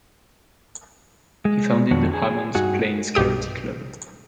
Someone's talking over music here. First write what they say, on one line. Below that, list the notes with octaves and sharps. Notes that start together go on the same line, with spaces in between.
He founded the Hammonds Plains Karate Club.
G#3
F2 D#3 F#3 B3 D4 C#5
G#4
G2 D#4 F#4 G#4
B1 G2 G4 D#6 D7